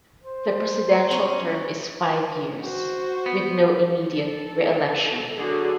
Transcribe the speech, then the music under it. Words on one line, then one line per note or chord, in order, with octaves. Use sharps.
The presidential term is five years, with no immediate reelection.
C5
C#4
F#4 C5
B3
A4
D3 F#3 F#4 G#4 A4